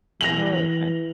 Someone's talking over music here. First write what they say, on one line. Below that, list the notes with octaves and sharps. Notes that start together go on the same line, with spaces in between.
Oh, 'kay.
E3 A#6 F7 F#7